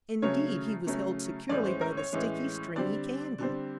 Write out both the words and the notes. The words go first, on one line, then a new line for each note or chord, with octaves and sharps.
Indeed, he was held securely by the sticky, stringy candy.
C#3 F#3 A3 C#4 C#5
C#3 F#3 A3 C#4
A2 E3 G#3 C#4 D5
C5
A#4
C#5
A2 E3 G#3 C#4
D3 G3 C4 D5
D3 G3 C4